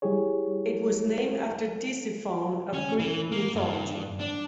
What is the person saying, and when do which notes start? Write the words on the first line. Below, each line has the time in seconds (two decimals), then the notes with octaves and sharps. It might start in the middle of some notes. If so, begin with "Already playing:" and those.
It was named after Tisiphone of Greek mythology.
0.02 G3 E4 G4 G#4 C#5
2.74 C#4
2.99 E3
3.31 A#3
3.55 G2
4.20 D4